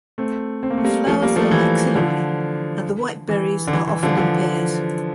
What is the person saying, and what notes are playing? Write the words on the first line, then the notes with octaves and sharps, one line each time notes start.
The flowers are axillary and the white berries are often in pairs.
A3 C4
C4
A#3
A3
G3 A#3
F3 A3
G3 A#3
F3 A3
E3 G3
D3 F3
E3
D3
E3
E3
D3 F3
D3 F3